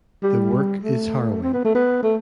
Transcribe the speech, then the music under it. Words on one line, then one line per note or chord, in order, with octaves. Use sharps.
The work is harrowing.
G3
A3
C4
B3
A3
B3
A3